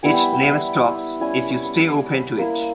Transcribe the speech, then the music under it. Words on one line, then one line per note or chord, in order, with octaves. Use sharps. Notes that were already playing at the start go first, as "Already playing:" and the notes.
It never stops if you stay open to it.
G3 B3 E4 G#5
G5
E5
G5
G3 C#4 E4 G#5
B5
C#6
C#6
D#6
A#3 E4 E6